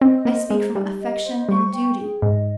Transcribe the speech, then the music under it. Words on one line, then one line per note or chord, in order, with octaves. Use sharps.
I speak from affection and duty.
C4 D#5
A#3 C5
G#3 D#4
G3 G4
D#5
C5
G3 C#6
G5
G#4
G#2 D#5